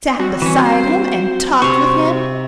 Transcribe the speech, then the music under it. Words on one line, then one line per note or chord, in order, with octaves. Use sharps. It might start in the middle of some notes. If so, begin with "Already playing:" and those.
Sat beside him and talked with him!
G3 C4 F#4
E3 C#4
C5
C3 C5 C#6